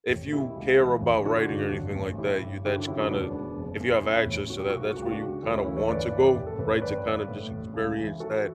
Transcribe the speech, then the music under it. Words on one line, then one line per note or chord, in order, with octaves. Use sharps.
If you care about writing or anything like that, you that's kinda if you have access to that, that's where you kinda want to go, right, to kinda just experience that
A1
B2 E4 G4
C#2
E3
A1
D3 D4 F#4
G2
A1
A1
G1 E4 G4
G2
D3 E4 G4
D4 F#4
F#2 C#4 E4
D4 F#4
E1 B3 D4
E1
F#1
E2
A2 C#4 E4
A1
B1 F#4
G4
B1 F#4
G4
F#4
C#2 G4
D4 F#4
C#2
D2
C#4 E4
E3 C#4 E4
A4 C#5
G1 B4 D5
E3
A1 G4
A4
A1 B4
C#5
G1 B4 D5
G1
A2
A1
C#2
E3
E3 F#4 A4